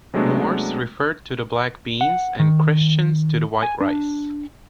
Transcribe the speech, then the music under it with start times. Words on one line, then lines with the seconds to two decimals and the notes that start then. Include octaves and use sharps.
"Moors" refers to the black beans, and "Christians" to the white rice.
0.14 C3 F#3 G#3 A3 B3 D4
2.01 F#5
2.39 D#3
3.62 G#5
3.81 D4